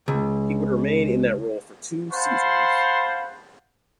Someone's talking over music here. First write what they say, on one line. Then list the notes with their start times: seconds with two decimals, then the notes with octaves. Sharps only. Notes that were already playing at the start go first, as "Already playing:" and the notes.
He would remain in that role for two seasons.
0.08 C#2
2.12 C5 F5 F#5 A5 B5 C6